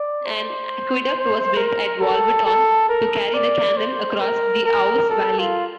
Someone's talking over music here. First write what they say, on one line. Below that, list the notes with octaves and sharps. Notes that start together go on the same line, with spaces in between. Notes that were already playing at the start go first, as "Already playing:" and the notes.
An aqueduct was built at Wolverton to carry the canal across the Ouse valley.
Already playing: D5
C5
A#4
A4
A4
A#4
D5
C5
A#4
A#4
A4
F4